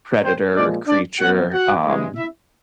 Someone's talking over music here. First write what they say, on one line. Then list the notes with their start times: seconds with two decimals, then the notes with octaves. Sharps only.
predator or creature, um,
0.23 C4 C5
0.55 A#2 F3 G#3 D4 D5
0.87 D4 D5
1.20 B2 F#3 F#4 F#5
1.52 F#4 F#5
1.84 G2 E3 G#3
2.16 E4 E5